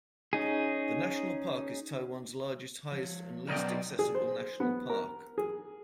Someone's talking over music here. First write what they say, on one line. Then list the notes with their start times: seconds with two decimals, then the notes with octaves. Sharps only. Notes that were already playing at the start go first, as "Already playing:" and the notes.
The national park is Taiwan's largest, highest and least accessible national park.
0.33 C#4 D#4 G#4
2.92 F3 C#5
3.48 B1 A#4 D5 D#5 G5
3.99 G#4
4.15 C5
4.60 B3
4.89 A#4
5.38 G#4